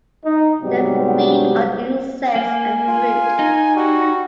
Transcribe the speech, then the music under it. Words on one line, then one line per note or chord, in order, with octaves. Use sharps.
They feed on insects and fruit.
D#4
G#2 C3 F#3 G3 B3 G4
A#3 G#5
F4
D#4
G3 F#4